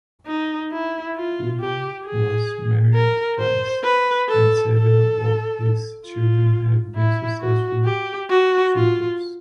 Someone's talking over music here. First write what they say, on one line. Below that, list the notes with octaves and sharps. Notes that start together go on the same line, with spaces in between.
Ullman was married twice, and several of his children have been successful shooters.
D#4
E4
F4
G4
G#4
A#4
C5
B4
A4
A4
F4
E4
F#4
G4
F#4
F4